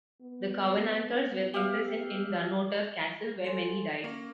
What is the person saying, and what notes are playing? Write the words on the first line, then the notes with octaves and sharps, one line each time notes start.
The Covenanters were imprisoned in Dunnottar Castle, where many died.
B3
G4 E5 F5
A4 G#5 C6
A#3 C#4 A#4